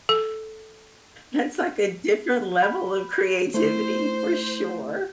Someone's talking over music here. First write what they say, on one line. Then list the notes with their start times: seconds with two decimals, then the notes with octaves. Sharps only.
That's like a different level of creativity for sure.
0.09 A4
2.63 B5
3.54 A3 E4 C5